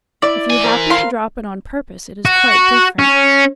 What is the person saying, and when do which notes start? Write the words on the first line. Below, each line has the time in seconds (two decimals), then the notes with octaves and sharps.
If you happen to drop it on purpose, it is quite different.
0.22 E4 D5
0.50 E3 G#5
0.64 A#4 C5 A#5
0.90 F5 C6
2.25 F#4
2.99 C#4